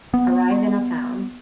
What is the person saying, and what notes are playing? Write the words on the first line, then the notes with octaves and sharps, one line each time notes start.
Arrive in a town.
B3